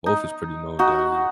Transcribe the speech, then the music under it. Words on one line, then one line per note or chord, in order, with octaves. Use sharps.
both is pretty known down here.
D#4
D#4 F#4